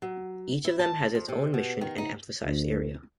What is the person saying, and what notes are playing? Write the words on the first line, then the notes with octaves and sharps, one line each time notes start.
Each of them has its own mission and emphasized area.
F#3
E4
A5
F2
C3
B2
D#3
D#4
D2